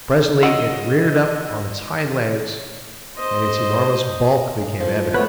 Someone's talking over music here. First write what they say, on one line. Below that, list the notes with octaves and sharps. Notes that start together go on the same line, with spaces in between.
Presently it reared up on its hind legs and its enormous bulk became evident.
F#4 D#5 E6
C5 D#5
F3
A3 B3 B4 C#5